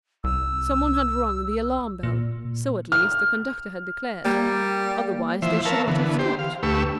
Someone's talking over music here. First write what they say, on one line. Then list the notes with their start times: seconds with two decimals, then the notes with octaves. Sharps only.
Some one had rung the alarm-bell--so at least the conductor had declared; otherwise they should not have stopped.
0.24 C2 E6
2.03 A#2
2.92 F6
4.25 G3 A#3
5.42 E3 F3 C5 E5
5.65 A#4 B4 C#5 F5 A5 E6
5.88 D3 E3 B3
6.19 G4 C5
6.39 F5
6.63 D2 A3 G4 B4 C#6 E6